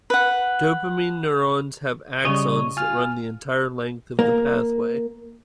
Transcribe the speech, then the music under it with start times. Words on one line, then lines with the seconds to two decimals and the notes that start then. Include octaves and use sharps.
Dopamine neurons have axons that run the entire length of the pathway.
0.10 B4 F#5
2.25 C#3 G3 C#5 D#5
2.77 F4 G#5 F6
4.19 A#3